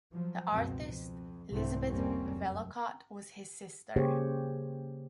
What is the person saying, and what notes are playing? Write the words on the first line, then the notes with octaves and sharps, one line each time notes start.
The artist Elisabeth Vellacott was his sister.
F3 F#3
C#2 F#2 B2 C4
F2
C2 G#2 D3 E3 A3 C4
F1 G3 A#3 C4 C#4
F#2
C#3 A#3 G4 G#4 C5 C#5